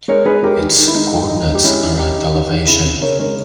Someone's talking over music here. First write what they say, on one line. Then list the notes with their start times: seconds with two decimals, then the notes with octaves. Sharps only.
Its coordinates are at elevation.
0.08 G#3 A#4 C#5
0.25 G#3 G#4 B4
0.43 G#3 G4 A#4
0.60 D#3
0.77 D#3
0.87 E4
0.95 G#3 D#4
1.12 D#3
1.29 D#3 D#4
1.47 G#3
1.55 G4
1.64 G#3 C#4 E4
1.82 D#3
1.98 D#3 D#4 G4
2.16 D#3
2.33 D#3
2.50 D#3
2.67 C#3 E4 G#4
2.86 C#3
3.02 C#3 A#4 C#5
3.19 G#3 A#4 C#5